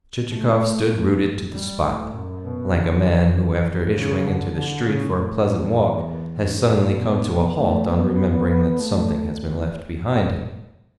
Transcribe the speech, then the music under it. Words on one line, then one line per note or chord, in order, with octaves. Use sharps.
Chichikov stood rooted to the spot, like a man who, after issuing into the street for a pleasant walk, has suddenly come to a halt on remembering that something has been left behind him.
A3
G3
A2
F#2
B2
D3
E3
C#3
D3
D3
C#3
A2
G2
E2
F#2
A2
B2
A3
B3
A3